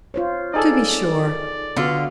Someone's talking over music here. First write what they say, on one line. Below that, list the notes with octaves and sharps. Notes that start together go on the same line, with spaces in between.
To be sure!
F4 C5 C#5
D#4 G#4 A4 D5
D3 B3 F4 F#4